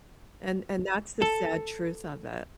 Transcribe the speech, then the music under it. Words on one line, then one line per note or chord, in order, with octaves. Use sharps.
and and that's the sad truth of it.
A4